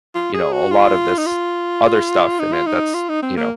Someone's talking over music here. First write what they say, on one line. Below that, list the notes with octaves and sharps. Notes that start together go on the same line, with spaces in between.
you know, a lotta this other stuff in it that's, you know.
F4
G#4
F#4
F4
D#4
F4
D#4
F4
D#4
F4
D#4
C4
A#3